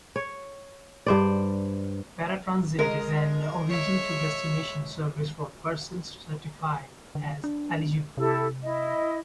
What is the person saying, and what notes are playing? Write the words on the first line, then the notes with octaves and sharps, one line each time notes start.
Paratransit is an Origin to Destination service for persons certified as eligible.
C#5
G2 C5 D5
G#3 A#4 D#5
C#5 E5
D3
D4
C3 E4 G4 A4
E4 D#5